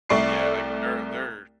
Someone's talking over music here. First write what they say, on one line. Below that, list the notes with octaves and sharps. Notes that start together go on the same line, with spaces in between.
yeah, like, they're they're
C2 A3 D5 C#6 C7